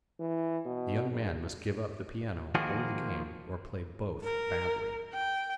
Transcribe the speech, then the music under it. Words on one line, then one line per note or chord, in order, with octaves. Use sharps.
The young man must give up the piano or the game, or play both badly.
E3
B2
A#1
D#3 F3 A#3 F#4 G#4
A#4
G5